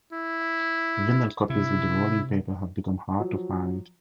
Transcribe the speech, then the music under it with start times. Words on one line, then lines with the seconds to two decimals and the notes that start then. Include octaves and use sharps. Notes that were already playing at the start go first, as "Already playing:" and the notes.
Vinyl copies with the rolling paper have become hard to find.
0.13 E4
1.50 C3 E4
3.19 F3 F#3